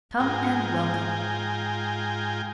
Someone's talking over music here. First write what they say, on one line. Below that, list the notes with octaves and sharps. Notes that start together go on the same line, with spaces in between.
"Come, and welcome."
G#2 F4 G5 G#5 A#5